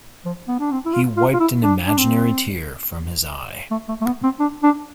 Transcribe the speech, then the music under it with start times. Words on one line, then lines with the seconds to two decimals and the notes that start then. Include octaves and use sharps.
He wiped an imaginary tear from his eye.
0.25 F3
0.48 B3
0.59 D4
0.71 C4
0.85 E4
0.93 F4
1.17 F4
1.33 F4
1.39 E4
1.63 D4
1.87 D4
1.98 C4
3.71 A3
3.88 A3
4.01 A3
4.06 B3
4.23 C4
4.39 D4
4.63 D4